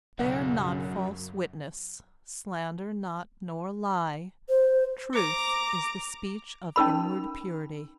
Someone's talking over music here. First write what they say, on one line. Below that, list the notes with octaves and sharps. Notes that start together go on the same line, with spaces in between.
Bear not false witness, slander not, nor lie; Truth is the speech of inward purity.
B1 F#2 C#3 F#3 D4 F#5
C5
A#5 D6
C#4 D#4 A#4 B5